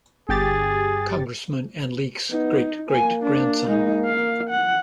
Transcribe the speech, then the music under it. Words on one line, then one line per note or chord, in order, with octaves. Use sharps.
Congressman and Leake's great-great-grandson.
G1 G4 G#4 A6
B3 D#4
A#3 G#5
D4
G#3 D#4
F5
F#5